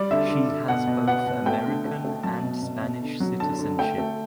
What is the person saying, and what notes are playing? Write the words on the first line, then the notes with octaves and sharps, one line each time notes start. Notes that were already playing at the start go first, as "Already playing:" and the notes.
She has both American and Spanish citizenship.
Already playing: G3 D5
D3 E5
D3
D3
B2 F#5
B2
B3 F#5
B2
A3 G5
D3
A3
A3
F#3 A5
B2
B2
B2
D3
F#3
D3 A5
D3
A3 G5
A3